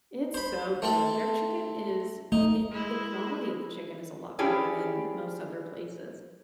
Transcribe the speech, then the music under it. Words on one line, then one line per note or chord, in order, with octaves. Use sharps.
It's so good. Their chicken is it the quality of the chicken is a lot better than most other places.
C5 B5
A3 C4 A4
A3 D#4
G#3 E4
C#4 D4 E4 G4 G#4 C#5